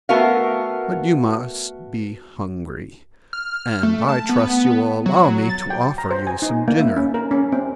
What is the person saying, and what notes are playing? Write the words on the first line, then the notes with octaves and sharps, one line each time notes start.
But you must be hungry, and I trust you will allow me to offer you some dinner.
A3 B3 F#4 A#4 E5 F5
F6
A3
A5
B3
F#3
A6
G5
A#5
C5
G#5
D#4
A#3
E5
C#4
A#4
C#4
C4